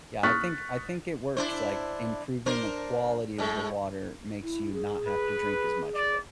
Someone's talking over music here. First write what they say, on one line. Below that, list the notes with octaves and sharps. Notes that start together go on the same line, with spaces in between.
yeah, I think I think it works, like, improving the quality of the water makes you not have to drink as much of it.
C#6 D#6 F6 F#6 A6 B6
D4 E4 C5
D4 A#4 C5
A2 G#3
E4
G#4
B4
D5